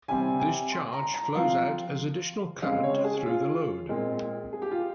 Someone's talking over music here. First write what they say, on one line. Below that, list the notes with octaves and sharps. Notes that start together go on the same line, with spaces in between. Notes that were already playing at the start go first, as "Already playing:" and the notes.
This charge flows out as additional current through the load.
C3 G3 C4 G#5
G#5
C6
A#5
A#5
F3 C4 F5
C#3 G#3 C4 F5
C#5
G#4
F4
A#2 G#3 C4
G#4
G4
F4